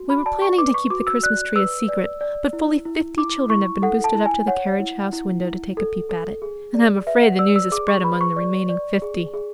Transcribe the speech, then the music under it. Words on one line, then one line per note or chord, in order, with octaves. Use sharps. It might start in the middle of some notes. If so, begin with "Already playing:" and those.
We were planning to keep the Christmas tree a secret, but fully fifty children have been boosted up to the carriage house window to take a peep at it, and I am afraid the news has spread among the remaining fifty.
Already playing: F#4
B5
D5 A5
C#6
B4 D6
C#6
F#4 D6
E6
D5 F#6
B4 E6
D5
D5
E4
E4
E4 D6
E4 C#6
A4 F#5
A5
E4
G#5
C#5 F#5
E4
E4
E4
A4
A4
G#4
D5
B4 E5
F#5
D5 E6
E6
G#4 D6
C#6
B4 B5
C#6
D5
D5
G#4
G#4